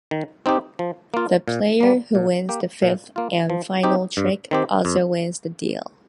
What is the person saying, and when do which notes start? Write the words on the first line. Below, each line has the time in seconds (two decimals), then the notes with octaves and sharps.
The player who wins the fifth and final trick also wins the deal.
0.11 D#3
0.46 C4 D#4 G4
0.79 F3
1.14 A#3 F4
1.48 A#2
1.81 G3 A#3
2.15 A#2
2.49 A#3 G4
2.82 A#2
3.16 A#3 F4
3.50 F3
3.83 C4 D#4 G4
4.17 G2
4.51 D#3 C4 G4
4.85 F2